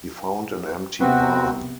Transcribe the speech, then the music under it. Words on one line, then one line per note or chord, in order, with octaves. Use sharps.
He found an empty barn.
C3 B3 C4 F#4